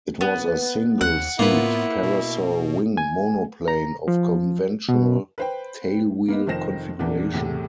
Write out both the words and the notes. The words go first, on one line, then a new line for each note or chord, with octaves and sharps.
It was a single-seat parasol wing monoplane of conventional tailwheel configuration.
B3
D#2 F#5
A2 A#3 B3 E4 F4 B4
B2
G#5
A#5
F3
B2
B4 C5 G5
A#3 B3 D#4
F1 D#3 F3 C5 A#6 E7
E2 A#2 E3 D4
E2 A2 C3 A3